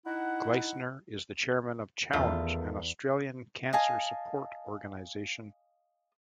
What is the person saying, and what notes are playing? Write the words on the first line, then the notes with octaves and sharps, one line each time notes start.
Gleisner is the chairman of Challenge, an Australian cancer support organisation.
D#4 E4 F#5
E2 D#3 A3 F4
D#5 F5 G#5 A5